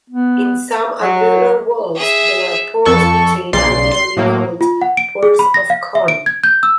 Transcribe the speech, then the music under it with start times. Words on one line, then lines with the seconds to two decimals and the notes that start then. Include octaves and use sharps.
In some alveolar walls there are pores between alveoli called Pores of Kohn.
0.10 B3
1.02 F#3
1.96 G#4 E5
2.85 F2 A4 C#6
3.53 B1 C#3 D5 C6 C7
3.92 C6 C7
4.17 A2 F#3 A#3
4.61 F4
4.81 F#5
4.97 D7
5.23 G#4
5.39 B5
5.54 A#6
5.70 F5
5.95 E5
6.08 D7
6.26 G#6
6.44 G6
6.63 E6